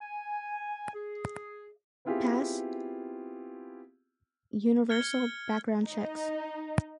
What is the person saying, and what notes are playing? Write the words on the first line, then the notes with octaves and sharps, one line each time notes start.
Pass universal background checks.
G#5
G#4
B3 C4 E4 F4 G4 G#4
F6 G#6 C#7 G7
D#4